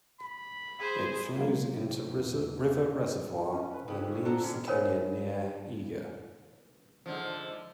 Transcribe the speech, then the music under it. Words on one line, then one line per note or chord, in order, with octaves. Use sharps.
It flows into River Reservoir, then leaves the canyon near Eagar.
B5
G#4 C5
C3 F#3 G#3 A#3
E2 A#2 B3
C#4
B4
F2 C#3 G4 B5
C#6
B3 D4 A4 A#5
D3 C#4
A#4 C5 C#5 F#5 G#5 B5
G#2 D3 F3